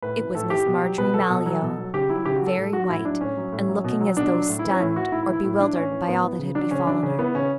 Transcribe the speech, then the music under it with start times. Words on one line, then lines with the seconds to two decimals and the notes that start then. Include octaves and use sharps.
It was Miss Marjorie Malyoe, very white, and looking as though stunned or bewildered by all that had befallen her.
0.02 A2 B4
0.18 E3
0.35 A2 A4
0.50 E3 G4
0.66 B2
0.82 F#3
0.98 B2 B4
1.14 F#3 A4
1.30 B2
1.46 F#3
1.62 B2
1.78 F#3
1.94 C#3 G4
2.09 F#3 E4
2.25 C#3 G4
2.36 F#4
2.42 F#3 A4
2.57 A2 A4
2.73 F#3 F#4
2.84 F#4
2.89 A2 E4
3.05 F#3 D4
3.21 A2 C#4
3.37 F#3
3.53 A2
3.69 F#3
3.84 B2
4.01 F#3
4.17 B2 D4
4.33 F#3
4.48 A2
4.59 E4
4.64 E3
4.70 C#4
4.80 A2 E4
4.96 E3 F#4
5.12 A2 E4
5.23 E4
5.28 E3
5.33 E4
5.44 A2 E4
5.60 E3 D4
5.76 A2 C#4
5.91 E3
6.07 A2 B3
6.23 E3
6.39 C#3
6.55 F#3 D4
6.71 C#3 C#4
6.87 F#3 D4
7.03 C#3 C#4
7.19 E3 B3
7.35 C#3 C#4